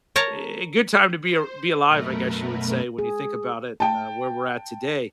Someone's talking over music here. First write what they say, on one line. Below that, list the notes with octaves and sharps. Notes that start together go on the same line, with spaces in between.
eh, good time to be ar be alive, I guess you would say, when you think about it, uh, where we're at today.
A#4 C#5 A5 A#5
C5
F#2 B2 A3 A#4 B4
G#4
G5 A5